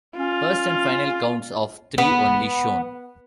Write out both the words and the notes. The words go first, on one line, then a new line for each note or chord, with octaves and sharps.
First and final counts of three only shown.
C#4 F4
B3